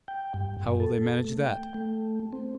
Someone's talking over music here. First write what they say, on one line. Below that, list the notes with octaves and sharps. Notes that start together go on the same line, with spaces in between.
"How will they manage that?"
G5
G2
F#2
A4
A3
G5
A3
C4